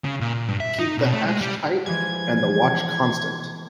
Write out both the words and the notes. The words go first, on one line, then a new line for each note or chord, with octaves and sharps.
Keep the hatch tight and the watch constant.
C#3
A#2
A#2
G2
E5
D#4
B2
A3
G#3
G3
E3 F3 G#3 G#6